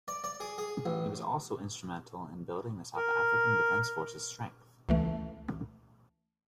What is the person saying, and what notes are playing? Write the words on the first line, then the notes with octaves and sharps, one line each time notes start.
He was also instrumental in building the South African Defence Force's strength.
D5
D5
G#4
G#4
A1
A#4
C#2 E3 A3